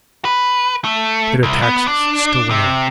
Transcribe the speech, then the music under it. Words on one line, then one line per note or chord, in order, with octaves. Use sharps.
The bitter taxes still went on.
B4
A3
C2
B3
D4
C3